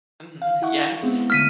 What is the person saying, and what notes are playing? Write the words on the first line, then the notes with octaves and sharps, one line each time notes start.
Mhm. Yes.
F5
E4 F#5 C#6
G#3 B3 C4
D3 A3 F6 B6 D#7